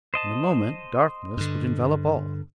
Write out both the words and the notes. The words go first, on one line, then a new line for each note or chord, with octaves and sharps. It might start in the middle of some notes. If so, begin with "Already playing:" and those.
In a moment darkness would envelop all.
C5 D#5 A5
G2 D3